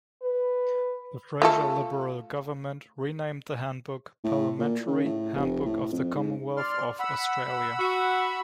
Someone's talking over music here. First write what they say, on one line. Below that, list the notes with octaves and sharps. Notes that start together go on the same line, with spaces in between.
The Fraser Liberal government renamed the Handbook Parliamentary Handbook of the Commonwealth of Australia.
B4
A3 F4 A4
A2
A#2
C#3
A2
F1
A2
F2
G#2
D5 C6 F6
F#5 B5 E6
F#4